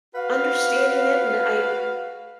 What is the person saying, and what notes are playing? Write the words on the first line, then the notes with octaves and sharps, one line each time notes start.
Understanding it and I
F#4 B4 F5